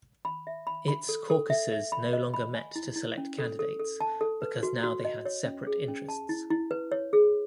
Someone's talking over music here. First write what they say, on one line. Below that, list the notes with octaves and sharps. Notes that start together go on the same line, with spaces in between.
Its caucuses no longer met to select candidates because now they had separate interests.
B5
E5
B5
B5
A4
A4
E5
E5
B5
D#5
B5
G#5
E4
E4
C#4
A4
A4
A4
A5
A4
B4
F#4
F#4
D#5
C#5
C#4
G#4
C#4
A5
E4
E4
B4
C#5
G#4